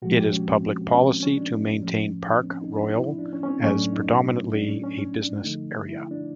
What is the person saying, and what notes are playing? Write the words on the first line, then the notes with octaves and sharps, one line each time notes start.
It is public policy to maintain Park Royal as predominantly a business area.
A#2 F3 G#3 F#4
G4
C#4
C4
C#4
C4
C#4
D4
A2 F3 A3 C#4
D4
C4
C#4
D#4
D4
E4
D4
C#4
C#4
C4
A2 F#3 A3 C#4
D4
D#4
D4
C#4
C#4
C#4
D4
D3 F3 A3 D#4
E4
D4